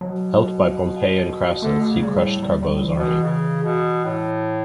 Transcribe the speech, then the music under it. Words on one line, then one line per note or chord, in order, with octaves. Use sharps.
Helped by Pompée and Crassus, he crushed Carbo’s army.
B2 F#3
D3 A3
B2
C#3
G3
A2
G3
G3
A2
E3
B2
E3
C#3
B2
A2